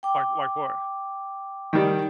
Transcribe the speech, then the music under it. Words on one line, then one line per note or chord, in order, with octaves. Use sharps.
like like what?
G5 D6
D#3 G3